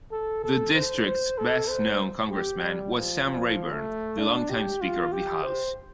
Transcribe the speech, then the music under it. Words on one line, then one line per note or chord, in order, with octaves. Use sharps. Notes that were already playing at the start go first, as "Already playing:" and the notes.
The district's best-known congressman was Sam Rayburn, the longtime Speaker of the House.
A4
A4
C5
C5
A4
C5
G4
G3
F3
F3
A3
D4
G4
F4
G4
C5